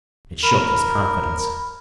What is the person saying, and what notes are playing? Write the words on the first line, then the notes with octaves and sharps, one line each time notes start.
It shook his confidence.
A#4 B5